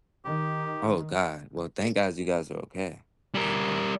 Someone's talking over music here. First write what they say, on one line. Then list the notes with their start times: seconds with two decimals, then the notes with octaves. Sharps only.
Oh, god. Well, thank gods you guys are okay, you know?
0.25 D#3 G4
3.35 G3 A#4